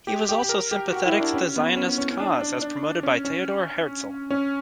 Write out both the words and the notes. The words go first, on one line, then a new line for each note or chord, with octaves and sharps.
He was also sympathetic to the Zionist cause, as promoted by Theodor Herzl.
G4
G4
G4
A#4
G4
F#4
E4
D4
C#4
B3
C#4
C#4
C#4
D4
D4
D4
C#4
C#4
C#4